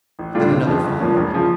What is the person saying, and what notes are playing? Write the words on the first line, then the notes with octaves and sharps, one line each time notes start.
Then another five.
A1
A2 G3 D4 F4
G1
F2 C#3 F3
G1
G2 F3 A#3 C#4
E1
C#3 F3